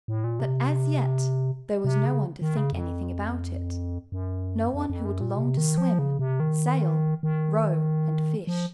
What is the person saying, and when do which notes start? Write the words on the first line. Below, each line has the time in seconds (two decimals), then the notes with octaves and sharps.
But as yet there was no one to think anything about it, no one who would long to swim, sail, row, and fish.
0.08 A2
0.24 A#2
0.39 C3
1.85 C3
2.06 C#3
2.42 D#3
2.57 C#3
2.72 F2
4.12 F#2
4.74 F2
4.90 F2
5.05 F#2
5.21 A#2
5.37 C3
5.57 D#3
5.78 F3
5.99 C#3
6.19 C3
6.40 D#3
7.23 D#3
8.47 F3